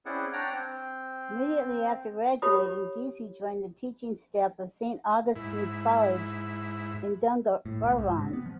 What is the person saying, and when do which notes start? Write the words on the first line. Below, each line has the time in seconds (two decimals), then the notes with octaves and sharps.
Immediately after graduating, Deasy joined the teaching staff of Saint Augustine's College in Dungarvan.
0.06 C4 C#4 E4 G#4 D5 F#5
0.33 D4 C#5 D5 F#5 G5 A#5
0.52 C4
2.42 G4 C#5 B5 D#6
5.36 G#2 E4
7.66 A2
7.83 C2
7.98 G#2
8.17 C3
8.33 B3
8.46 F3